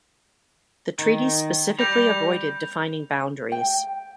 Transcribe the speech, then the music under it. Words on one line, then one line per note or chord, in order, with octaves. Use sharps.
The treaty specifically avoided defining boundaries.
D#3
G3 G6 A#6 F7
G5